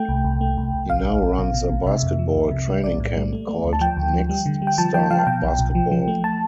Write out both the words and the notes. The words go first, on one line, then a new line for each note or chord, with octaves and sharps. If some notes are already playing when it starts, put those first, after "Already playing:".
He now runs a basketball training camp called NextStar Basketball.
Already playing: A3 G5
C2
C2
A3
C2
C2
A1 F5
A1
A1
B2
B2
B1
C3 E5
F2
F3
C2
C3
G3
B1 D5
A2
G3
A3
A3
D2
A5
F3 G5
D2
F3
G3
D3
G3
G5
F3 A5
F3 G5
F3 F5
A5
B2 G5
B1
B1
F3
F3
A3
A5